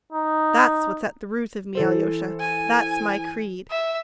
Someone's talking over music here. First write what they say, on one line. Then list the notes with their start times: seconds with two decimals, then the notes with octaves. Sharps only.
That's what's at the root of me, Alyosha; that's my creed.
0.12 D#4
1.75 E3 A4 C5
2.40 G#5
3.70 E5